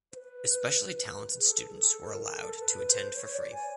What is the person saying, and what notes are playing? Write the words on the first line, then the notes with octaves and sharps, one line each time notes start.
Especially talented students were allowed to attend for free.
C5
B4
G#4
A4
A4
A#4
A4
B4
C5
C#5
D5
G#5